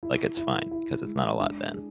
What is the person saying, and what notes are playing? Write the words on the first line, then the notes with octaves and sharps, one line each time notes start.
like, it's fine because it's not a lot then.
E4
E4
E4
G#3
D4
G#4